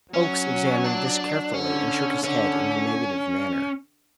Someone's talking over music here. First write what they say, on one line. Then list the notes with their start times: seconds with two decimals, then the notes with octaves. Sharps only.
Oakes examined this carefully and shook his head in a negative manner.
0.14 F#3 C#4
0.84 D4
1.54 D3 C#4
2.24 D3 C#4